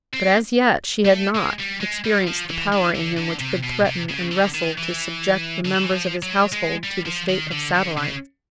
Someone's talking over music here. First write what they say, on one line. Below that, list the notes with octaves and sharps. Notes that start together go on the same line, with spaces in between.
But as yet she had not experienced the power in him which could threaten and wrestle to subject the members of his household to the state of satellites.
C4
A3
G#3
G3
G#3
G3
F3
E3
D#3
D3
D3
C3
B2
C3
C#3
D3
D#3
E3
D3
D#3
E3
F3
F#3
G#3
G3
F3
D#3
D3
D3
C#3